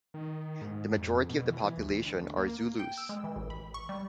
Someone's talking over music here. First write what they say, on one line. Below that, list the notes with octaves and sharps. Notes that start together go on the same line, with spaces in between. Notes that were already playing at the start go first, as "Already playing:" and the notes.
The majority of the population are Zulus.
D#3
G#2
F2
B2
E3
D2
A#3
G5
E6
G#3
E3
A1
B5
C#6
G3